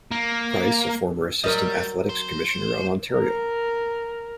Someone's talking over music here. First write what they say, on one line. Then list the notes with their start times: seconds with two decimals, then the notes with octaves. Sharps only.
Price, a former assistant athletics commissioner of Ontario.
0.11 A#3
1.44 F#3 G3 A#4 D#5
2.09 C5
3.12 A#4